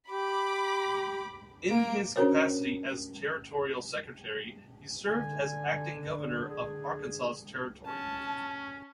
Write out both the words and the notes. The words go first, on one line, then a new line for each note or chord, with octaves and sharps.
In his capacity as territorial secretary, he served as acting Governor of Arkansas Territory.
G4 B5 D6
A#3 D7
C#4 D4 F#4 A#4 C5 C#5
D3 G#5
G#4
C#4 A5